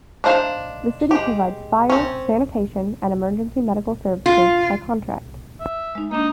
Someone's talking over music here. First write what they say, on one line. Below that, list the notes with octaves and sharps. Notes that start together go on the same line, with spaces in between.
The city provides fire, sanitation, and emergency medical services by contract.
D4 D#4 C5 F5
G#3 G4
C4 C#4
F4
E5
G#3 D#4
A#3 D4 D#4